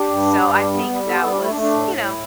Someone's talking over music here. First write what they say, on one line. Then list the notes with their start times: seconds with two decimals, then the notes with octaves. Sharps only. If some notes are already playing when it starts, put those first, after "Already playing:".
so I think that was, you know,
Already playing: D4 G4
0.09 G2
0.26 G3
0.41 G2
0.58 G3
0.74 B3
0.90 G3
1.06 B3 E4 A4
1.14 G4 B4
1.22 G3 E4 A4
1.30 D4 G4
1.39 A3 E4
1.50 D4
1.55 A3
1.61 D4
1.71 A2
1.87 A2
2.04 E4